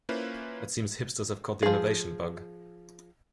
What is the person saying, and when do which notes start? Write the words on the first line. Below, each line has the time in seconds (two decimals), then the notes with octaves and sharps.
It seems hipsters have caught the innovation bug.
0.09 A#3 C#4 E4 F4 B4 C5
1.63 F3 G#4